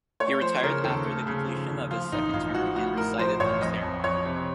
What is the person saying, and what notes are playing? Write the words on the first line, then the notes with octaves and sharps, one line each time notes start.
He retired after the completion of his second term, and resided in Claremont.
A3 C#5
F3 C5
C#3 A#4
D#2 A4
A3
C#3
F3
D#2
F3 F4
A1 D#4
A1 F4
F3 F#4
A2 F#4
A2 A#4
F3 C5
A1 C#5
F2 D#5
F2
F2 C#5
C3